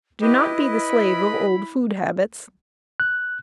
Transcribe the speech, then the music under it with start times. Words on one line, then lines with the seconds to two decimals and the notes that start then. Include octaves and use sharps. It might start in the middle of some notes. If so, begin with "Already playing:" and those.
Do not be the slave of old food habits.
0.22 E4 G4 B4 D#5
0.61 B5
3.00 F#6